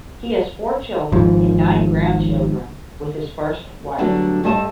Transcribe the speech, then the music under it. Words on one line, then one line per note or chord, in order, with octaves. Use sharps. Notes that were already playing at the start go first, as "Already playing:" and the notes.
He has four children and nine grandchildren with his first wife.
G#1 G#2 F3
D3 F#3 G3 A3 B3 D4
G2 G3 A3 D#5 E5 A5